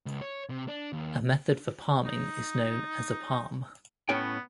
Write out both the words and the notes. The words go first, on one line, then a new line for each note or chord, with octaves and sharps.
A method for palming is known as a palm.
C#2
C#5
C3
D4
D#2
D#4
A2 B3 C#4 G5